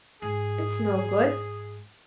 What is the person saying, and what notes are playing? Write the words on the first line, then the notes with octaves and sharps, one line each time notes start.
"It's no good."
G#2 G#4